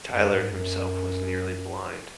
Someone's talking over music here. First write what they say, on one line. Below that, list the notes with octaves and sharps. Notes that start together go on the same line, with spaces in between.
Tylor himself was nearly blind.
F#2
G#2
F#2